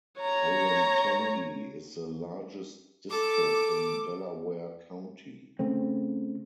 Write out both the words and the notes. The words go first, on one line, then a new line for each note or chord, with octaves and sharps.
Olentangy is the largest district in Delaware County.
C#5 A#5
A4 D6
C#3 A3 C4